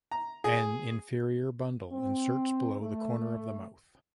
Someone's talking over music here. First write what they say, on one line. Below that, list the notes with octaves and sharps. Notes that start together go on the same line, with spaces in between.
An inferior bundle inserts below the corner of the mouth.
A#5
G#4
C4
A3